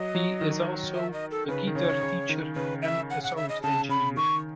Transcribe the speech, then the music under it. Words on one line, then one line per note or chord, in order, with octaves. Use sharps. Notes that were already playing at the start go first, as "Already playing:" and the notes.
He is also a guitar teacher and a sound engineer.
Already playing: F#3 D#5
F#3
D#3
E5
D#5
A4
C#3 B4
D#3
C#3 C#5
C#3
D#3
C#3 B4
E5
F#5
F#5
E5
D#5
C#3 A5
C#3 B5
D#3 C#6